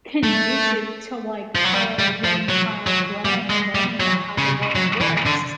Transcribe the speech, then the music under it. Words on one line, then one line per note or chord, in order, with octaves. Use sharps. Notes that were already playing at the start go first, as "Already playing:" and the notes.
conducive to, like, a young child growing and learning about how the world works.
A3
F3
F#3
G3
G3
F3
F#3
F#3
G3
G#3
G3
F#3
C#3
F#3
E3
D3